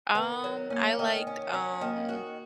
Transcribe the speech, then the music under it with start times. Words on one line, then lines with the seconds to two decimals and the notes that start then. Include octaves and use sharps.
Um, I liked, um
0.15 D#3 B3
0.44 F#3
0.70 A#3 C#4
0.99 D#3
1.27 C#4
1.54 C#4
1.81 D#3 A#3
2.09 F#4